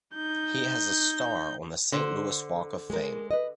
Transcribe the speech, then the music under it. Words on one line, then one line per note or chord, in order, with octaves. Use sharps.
He has a star on the Saint Louis Walk of Fame.
D#4 G6
D3 C5
G#3 A#4
B4 D#5